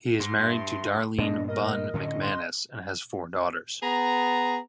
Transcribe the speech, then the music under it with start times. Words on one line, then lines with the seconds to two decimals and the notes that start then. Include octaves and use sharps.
He is married to Darlene "Bun" McManus and has four daughters.
0.20 G#2 C6
0.39 G2 E5
1.18 G2 A#2 B3 D4 D#5
1.48 A#4 D#5
1.93 A2 D3 C#4
2.22 C6
3.82 B3 G#4 A#5